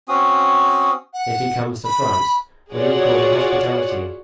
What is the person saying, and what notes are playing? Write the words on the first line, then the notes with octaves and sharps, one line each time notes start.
If he comes to France will you accord him hospitality?
C4 C#4 F#4 D#6
F#5
B5
F4 F#4 G#4 C#5 D5 F#5